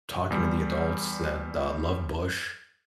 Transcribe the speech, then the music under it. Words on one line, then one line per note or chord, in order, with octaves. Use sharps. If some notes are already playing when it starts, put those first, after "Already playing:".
talking to the adults that, uh, loved Bush,
E2 G3